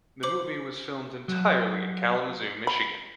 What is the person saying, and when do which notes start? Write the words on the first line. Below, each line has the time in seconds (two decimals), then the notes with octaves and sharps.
The movie was filmed entirely in Kalamazoo, Michigan.
0.23 C5 D6 F#7
1.28 F#3
2.67 B5